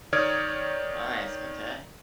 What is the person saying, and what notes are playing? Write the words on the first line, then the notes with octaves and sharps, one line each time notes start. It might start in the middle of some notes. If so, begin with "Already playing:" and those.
Nice, okay.
D#3 C#5 D5 D#6 F6 G#6